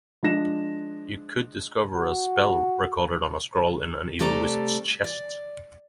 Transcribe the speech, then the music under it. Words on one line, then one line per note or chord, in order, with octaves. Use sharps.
You could discover a spell recorded on a scroll in an evil wizard’s chest.
F3 G#3 D4 A#6 E7
F#4
C3 G3 A3 A4 D5 A#5
D5